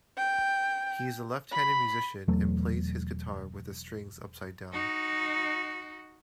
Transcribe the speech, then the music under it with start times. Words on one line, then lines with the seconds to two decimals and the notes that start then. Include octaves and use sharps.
He is a left-handed musician and plays his guitar with the strings upside down.
0.16 G5
1.52 B5
2.28 E1 E2 F#3 A3
4.73 D#4 F#4